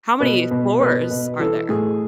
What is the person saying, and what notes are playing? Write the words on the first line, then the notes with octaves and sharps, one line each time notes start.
How many floors are there?
B2 B4
B2
B2 B4
B2
E3 A4
A2 G#4